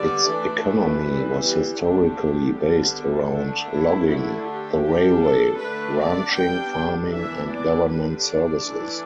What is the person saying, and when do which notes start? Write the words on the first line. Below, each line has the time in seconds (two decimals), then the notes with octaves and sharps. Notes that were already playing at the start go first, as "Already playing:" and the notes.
Its economy was historically based around logging, the railway, ranching, farming, and government services.
Already playing: D3 G3 B3 D5
0.28 E3 A3 D4
0.66 B4
1.03 E3 G3 B3
1.42 G4
1.79 D3 A3 D4 G4
2.56 D3 G3 B3 D4
2.94 A4
3.32 D3 A3 D4
3.70 E4
4.08 D3 A3 D4 E4
4.46 G4
4.84 G3 D4 G4
5.22 A4
5.60 D3 A3 D4 B4
5.98 D5
6.36 G3 B3 D4 G5
7.12 E3 B3 D4 E5
7.50 D5
7.88 D3 G3 D4 B4
8.27 D5
8.64 E3 A3 D4